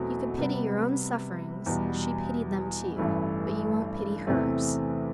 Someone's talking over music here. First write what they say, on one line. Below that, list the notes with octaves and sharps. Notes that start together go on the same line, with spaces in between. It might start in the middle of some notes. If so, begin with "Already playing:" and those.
You could pity your own sufferings; and she pitied them, too; but you won't pity hers!
Already playing: E2 B2 F#3 A3 C4
C3 G3 B3
E2 B2 G3
A1 G2 E3 A3 E4
E2 C3 E3 A3 C4